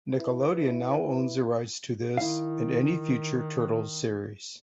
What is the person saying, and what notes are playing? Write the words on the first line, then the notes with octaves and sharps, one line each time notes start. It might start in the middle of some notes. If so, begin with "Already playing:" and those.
Nickelodeon now owns the rights to this and any future Turtles series.
E4 B4
D#3 E4 F5